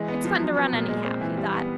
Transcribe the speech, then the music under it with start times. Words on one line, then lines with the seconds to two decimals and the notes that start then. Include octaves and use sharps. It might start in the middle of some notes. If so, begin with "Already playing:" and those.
"It's fun to run, anyhow," he thought.
Already playing: E3 G#3
0.08 B3
0.24 F3
0.40 F#3
0.56 B3
0.72 A#2
0.88 G#3
1.05 C4
1.21 E3
1.37 G3
1.53 B3